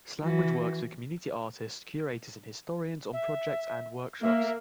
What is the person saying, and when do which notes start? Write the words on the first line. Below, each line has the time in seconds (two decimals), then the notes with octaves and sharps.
Slanguage works with community artists, curators and historians on projects and workshops.
0.22 E3 F#4
3.13 E5
4.22 A#3 E5